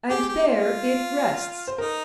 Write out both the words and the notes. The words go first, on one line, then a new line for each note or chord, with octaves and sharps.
And there it rests.
G4 G#4
G4
F4
C5
D#4 A#4